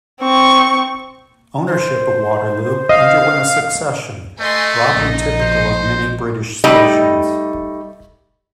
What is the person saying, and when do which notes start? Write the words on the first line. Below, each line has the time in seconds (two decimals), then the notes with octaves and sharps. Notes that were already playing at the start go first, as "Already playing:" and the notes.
Ownership of Waterloo underwent a succession, broadly typical of many British stations.
0.21 C4 C#6
1.67 C5
2.89 D#5 F5
4.40 A3 D#5 G#5 C6
4.95 A#1 D#4 D#5
5.41 C5
6.64 G3 A3 D#4